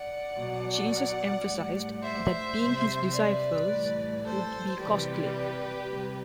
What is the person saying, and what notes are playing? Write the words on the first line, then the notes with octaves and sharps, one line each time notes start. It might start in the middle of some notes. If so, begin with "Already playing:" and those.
Jesus emphasised that being his disciples would be costly.
Already playing: D5 F#5
B2 F#3
A2 G3
C5 E5
C3 G3
B4 D5
A2 E3 G3
A4 C5
C3 E3 G3 G4 B4
C3 G3